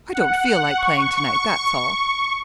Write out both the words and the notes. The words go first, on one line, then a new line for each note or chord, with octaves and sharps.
"I don't feel like playing to-night; that's all."
F#5
C#6